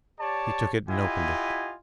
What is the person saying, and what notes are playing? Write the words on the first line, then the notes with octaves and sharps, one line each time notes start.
He took it and opened it.
G4 C#5 D5 A5
E4 F4 G4 D#5 F#5 G#5